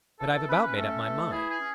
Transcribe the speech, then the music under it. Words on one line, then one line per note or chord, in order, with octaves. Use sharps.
But I've about made up my mind.
E3 A4
A4
C#4 B4
B4
A3 A4
E3
E4 G#4
G#4
C#4